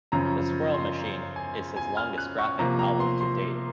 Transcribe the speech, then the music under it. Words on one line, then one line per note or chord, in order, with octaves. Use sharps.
"The Squirrel Machine" is his longest graphic novel to date.
F#2 C#3 F3 C4 A#5
C6
G#5
G#5
F6
F#6
C#6
C3 F3 A#3 A#5
A#5
C6
C6